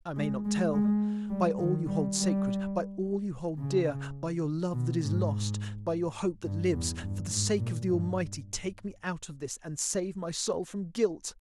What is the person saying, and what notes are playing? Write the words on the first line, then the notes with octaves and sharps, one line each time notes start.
I may not tell. By all you hold sacred--by all you hold dear--by your love that is lost--by your hope that lives--for the sake of the Almighty, take me out of this and save my soul from guilt!
G#3
G#3
G#3
G3
D#3
G3
G3
C#3
B2
G#2
G2
E2
G2
G#2
A#2
G2